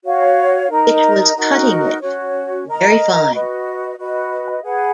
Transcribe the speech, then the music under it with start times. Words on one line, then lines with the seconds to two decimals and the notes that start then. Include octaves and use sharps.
It was cutting it very fine.
0.05 F#4 C#5 F5
0.70 D#4 A#4 D#5 A#5
1.36 D#4 F#4 A#4
2.01 C#4 F#4 C#5
2.67 A#4 D#5 A#5
3.32 F#4 B4 D#5
3.98 F#4 B4 D#5
4.63 G#4 B4 F#5